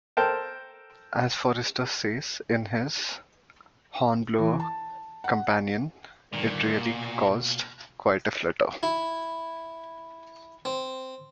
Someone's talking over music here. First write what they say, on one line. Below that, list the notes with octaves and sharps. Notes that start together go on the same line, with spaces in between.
As Forester says in his "Hornblower Companion", "...it really caused quite a flutter".
A4 A#4 C5 G5 A5
E3
A5
F#5
G2 A#2 D3 D#3
B2 A#3
E4
C4